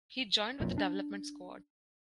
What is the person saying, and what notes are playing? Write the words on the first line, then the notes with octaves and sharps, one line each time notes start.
He joined with the development squad.
F1 B1 F#2 A#2
D4